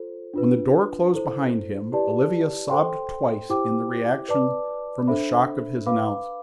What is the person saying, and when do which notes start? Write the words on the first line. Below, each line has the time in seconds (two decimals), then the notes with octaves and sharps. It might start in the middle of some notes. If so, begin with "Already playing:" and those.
When the door closed behind him Olivia sobbed twice in the reaction from the shock of his announcement.
Already playing: F4 A4 C5
0.34 D4 F4 B4
1.12 E4 A4 C5
1.92 E4 G4 B4 D5 A5
2.70 A4 C5 G5 C6
3.50 E4 G4 C5 G5 D6
4.28 B4 D5 A5 D6
5.07 D4 A4 C5 E5 B5
5.86 B4 F5 B5 D6